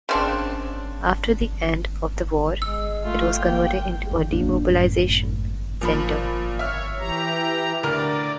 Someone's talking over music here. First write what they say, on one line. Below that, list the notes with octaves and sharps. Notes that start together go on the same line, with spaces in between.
After the end of the war, it was converted into a demobilization center.
C#3 C4 D4
G#3 E6
A3 F4
A#3 G5
E2
B1 G#2 A#3 D4
F#2 A2
A#2 F3 B5
C#5 E5 F6
E3 G4 A#5
D2 A#4 D5 F6